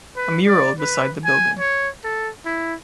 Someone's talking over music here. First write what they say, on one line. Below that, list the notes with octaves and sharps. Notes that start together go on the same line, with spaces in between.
A mural beside the building.
B4
D5
B4
G#5
C#5
A4
E4